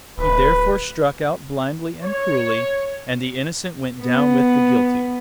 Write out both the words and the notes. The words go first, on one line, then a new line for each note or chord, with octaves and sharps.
He therefore struck out blindly and cruelly, and the innocent went down with the guilty.
D1 B4
C#5
B3